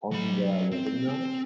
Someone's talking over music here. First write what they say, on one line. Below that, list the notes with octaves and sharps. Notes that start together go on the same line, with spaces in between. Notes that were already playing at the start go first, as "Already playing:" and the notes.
On their wedding night?
F#3 B5
C4
C4